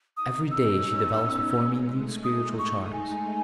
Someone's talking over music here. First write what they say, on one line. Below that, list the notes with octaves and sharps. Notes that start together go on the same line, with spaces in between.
Every day she develops before me new spiritual charms.
D#4 D#6
C#4 E6
B3
G#3
A3
D#4 D#6
C#6
G#5